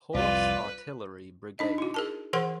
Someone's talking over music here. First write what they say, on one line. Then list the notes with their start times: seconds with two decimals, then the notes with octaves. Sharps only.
Horse Artillery Brigade.
0.14 C2 F2 F4 B4 D5
1.59 D4 D#4 D#5
1.78 E4 F#4
1.94 G#4 A#4 A5
2.33 E3 G#4 A#4 C5 F#5 C6